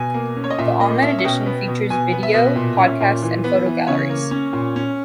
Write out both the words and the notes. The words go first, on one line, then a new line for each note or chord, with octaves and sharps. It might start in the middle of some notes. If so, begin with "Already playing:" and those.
The online edition features video, podcasts and photo galleries.
Already playing: B2 G#5
A#3
C#4
C#5
D#5
A#2 E5
A#3 D#5
C#4 E5
E5
B2 G5
B3
B2
B2 G#5
B3
E5
B2
A#2
C#4
A#2
E3
B3
E3
C#3 C#5
A#3
C#4
A#2
C#4